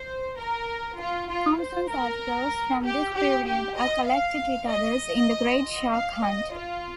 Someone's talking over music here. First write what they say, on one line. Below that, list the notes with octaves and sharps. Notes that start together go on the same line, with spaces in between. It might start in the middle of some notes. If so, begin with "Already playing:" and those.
Thompson's articles from this period are collected with others in "The Great Shark Hunt".
Already playing: C5
A#4
F4
F4
C5
A#4
G4
G4
G4
D#5
F5
D#5
F5
D#5
F4